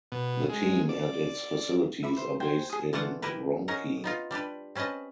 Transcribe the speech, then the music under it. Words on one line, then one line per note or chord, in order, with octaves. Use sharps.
The team and its facilities are based in Wronki.
B2
G#3
D5
E5 B5 D6
C5
C5 G5 G#5
G#4 D#6
D3 E3 A3 F4 F#5
E4 G4 A#4 B4
C#4 D#4 A#4 F#5
B3 D#4 F4
G3 D4 G4 B4
C4 C#4 B4 D#5 A5